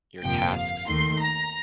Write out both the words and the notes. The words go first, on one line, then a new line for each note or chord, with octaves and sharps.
your tasks.
G1 F2 C3 F3 A#3 G5
F5
D#2 D#3 A3 C6
A#5